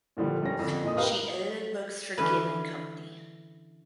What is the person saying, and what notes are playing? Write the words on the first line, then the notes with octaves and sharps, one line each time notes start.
She edited books for Ginn and Company.
A#2 D3 F3 G3
E1 G3 C#4 A#6
F2 D3
A#2 D#5 D#6
G4 A#4 B4 F5 D#6
D3 E3 C#4 B4